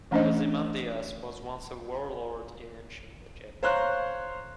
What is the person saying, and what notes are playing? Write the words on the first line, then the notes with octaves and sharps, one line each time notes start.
Ozymandias was once a warlord in Ancient Egypt.
E3 A3 C#4 D4 C5 D#5
C5 C#5 F5 A#5 C6 F#6